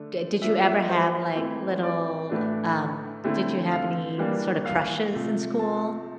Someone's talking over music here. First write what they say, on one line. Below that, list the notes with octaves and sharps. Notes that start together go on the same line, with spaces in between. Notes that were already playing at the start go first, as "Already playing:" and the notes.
D did you ever have, like, little, uh, um did you have any, sort of, crushes in school?
Already playing: D3 A3 D4
F3 A#3 D4 E5
E5
C5
E3 A3 C4 E4
D5
A2 E3 A3 D4
D3 A3 C4 E4
F5
E3 G3 A#3 D4
F5
C3 F3 A3
A5